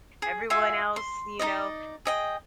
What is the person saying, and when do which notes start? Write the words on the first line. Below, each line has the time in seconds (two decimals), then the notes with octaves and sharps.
everyone else, you know,
0.22 G#4
0.50 F4 F#4 E5 G#5
0.96 C6
1.39 D#4 F4 D5 D#5
2.05 G#4 D#5 G5